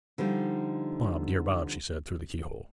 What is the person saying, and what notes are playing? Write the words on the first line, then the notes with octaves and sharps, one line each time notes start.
'Bob, dear Bob!' she said, through the keyhole.
D3 F3 G3 D#4